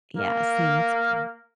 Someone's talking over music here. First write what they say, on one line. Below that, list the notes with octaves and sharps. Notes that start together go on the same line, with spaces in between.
Yeah, see? And that's great.
A#3